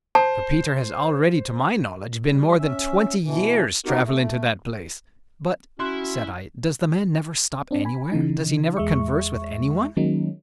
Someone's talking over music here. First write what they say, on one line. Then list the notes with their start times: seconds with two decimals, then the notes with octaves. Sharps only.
For Peter has already, to my knowledge, been more than twenty years travelling to that place." "But," said I, "does the man never stop anywhere, does he never converse with anyone?
0.15 C5 A5
2.27 G3
2.59 C#4 E5
3.24 B2 E3
3.86 B3 C4 D#4 F#4 G4 A#4
4.04 A3
5.80 C#4 E4 F#4 C6 F#6
7.71 C4 D4
7.85 G#5 B5
8.12 C#3 E3 D#4
8.77 E2 G#3 E5 C#6
9.97 D#3 F#3 G#3 A#3 C#4 D#4